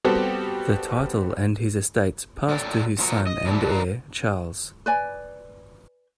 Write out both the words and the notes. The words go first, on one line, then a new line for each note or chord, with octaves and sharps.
The title and his estates passed to his son and heir Charles.
G3 B3 C4 F#4 G4 A4
A#3 A4 C#5 D5 G5
C#3 F3 F#3 A#3 C#5
D#5
B2 E3 G3 D4
D#3 D4 B4 D5 F5 A#5
B4 D5 G#5